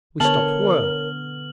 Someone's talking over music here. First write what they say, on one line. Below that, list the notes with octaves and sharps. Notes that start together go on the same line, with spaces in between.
We stopped work.
D3 B3 A#4 C#5 A5 F6 F#7